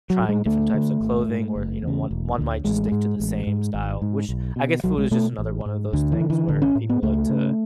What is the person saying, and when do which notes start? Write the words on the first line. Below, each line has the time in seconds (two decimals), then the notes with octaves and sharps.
trying different types of clothing where, you know, one one might just stick to the same style, which I guess food is just another one of those things where people like to
0.10 F#3
0.19 A2
0.29 G#3
0.46 D2 A3
0.74 D3
1.01 G#1
1.29 G#2
1.55 F#1
1.83 E2 C#3
2.11 E1
2.38 D2 D3
2.65 A1 G#3
2.92 G#2
3.20 A1
3.47 G#2
3.74 G#1
4.02 G#2
4.29 B1
4.56 B2
4.84 B1 F#3
4.98 G#3
5.11 B2 A3
5.38 A1
5.66 G#2
5.93 D2 D3
6.12 E3
6.20 D3
6.30 E3
6.48 A1 D3
6.62 C#4
6.75 A2
6.89 B3
7.02 C#2 A3
7.29 C#3